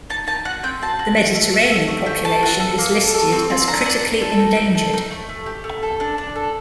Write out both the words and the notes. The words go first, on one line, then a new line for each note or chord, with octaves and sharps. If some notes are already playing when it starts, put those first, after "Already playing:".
The Mediterranean population is listed as critically endangered.
D#4 A5
D#4 A5
F#4 F#5
C4 G5
F#4 A5
F#4
F#4
A3
A3
A3
A3
G4
A4 A5
F#4
A4
A#3
A4
A4
C4
C4
D4 A#5
D4
D4
A4
D#4
D#4
A4
D#4
A3
A3
G4
A3
A4
D4
D4
A4